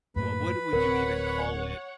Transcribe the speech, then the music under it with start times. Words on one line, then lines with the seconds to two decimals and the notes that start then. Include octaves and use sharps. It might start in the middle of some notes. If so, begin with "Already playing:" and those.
wha what would you even call it?
0.16 F#2 A2 A#3 B4 B5
0.73 D1 C4 A#4 C#5 F#5